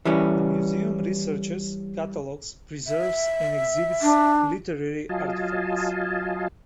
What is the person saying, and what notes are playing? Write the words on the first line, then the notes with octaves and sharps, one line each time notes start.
The museum researches, catalogs, preserves, and exhibits literary artifacts.
E3 G3 C#4
E5
D4
F#3 F4 D#5 F5 G#5 A5